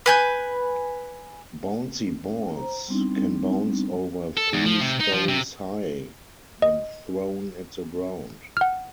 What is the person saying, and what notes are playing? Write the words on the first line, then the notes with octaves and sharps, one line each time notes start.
Bouncy balls can bounce over three stories high when thrown at the ground.
B4 G#5 G6
C#4
C5 A#5
G3 B3 C4 D4 D#4
A4
E2
F3
C3
D#4
F3
C3
D#5
F#5 F6